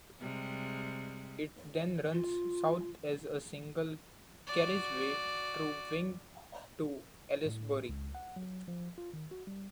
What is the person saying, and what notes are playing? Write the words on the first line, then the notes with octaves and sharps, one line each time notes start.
It then runs south as a single carriageway through Wing to Aylesbury.
C3 G3 G#3
F4
F#4 D5
A2
C#2
F#5
F#3
F3
F4
D#3
F#4
G3